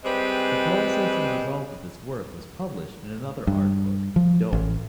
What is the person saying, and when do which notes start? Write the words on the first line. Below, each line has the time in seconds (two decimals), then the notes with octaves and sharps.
The process and result of this work was published in another art book, "Dome".
0.04 G3 G#3 C4 B4
3.47 G2
4.16 F3
4.53 A1